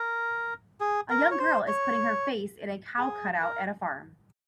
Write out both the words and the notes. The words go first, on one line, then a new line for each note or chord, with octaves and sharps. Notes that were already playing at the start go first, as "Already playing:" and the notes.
A young girl is putting her face in a cow cutout at a farm.
Already playing: A#4
G#4
A#4
C#5
C5
C#5
G#4
A#4